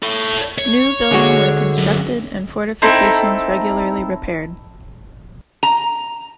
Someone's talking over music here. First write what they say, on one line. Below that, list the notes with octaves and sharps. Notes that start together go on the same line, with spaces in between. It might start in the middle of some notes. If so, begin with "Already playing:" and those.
New building were constructed and fortifications regularly repaired.
A4 C#5
C#5
D3 G#3 F#4
F#2
C4 D#4 E4 A4
A#5